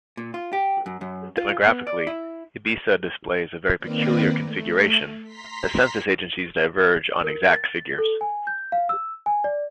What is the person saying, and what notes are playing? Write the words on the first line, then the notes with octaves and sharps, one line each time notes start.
Demographically, Ibiza displays a very peculiar configuration, as census agencies diverge on exact figures.
A#2
F4
G4
F#2
F#2
F4
B3
D5
E4
D#3 A#3 C4 A#4 B4 D5
A3
A#5 C6 B6
A#4
A6
A4
G#5
G6
F5
E6
G#5
D5